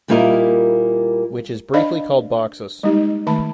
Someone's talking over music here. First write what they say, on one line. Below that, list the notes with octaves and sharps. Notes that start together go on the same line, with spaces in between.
Which is briefly called Bachsas.
A#2 G3 A#3 E4 A#4 D#5
D4 C5 D5 D#5 F5 B5
G3 G#3 A#3 D#4 G4
D#3 A3 A5 B5